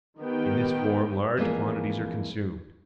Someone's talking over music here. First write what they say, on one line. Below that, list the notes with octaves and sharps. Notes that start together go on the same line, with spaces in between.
In this form large quantities are consumed.
D#3 B3 G4 G5
F2 E3 G3 A#3 G#4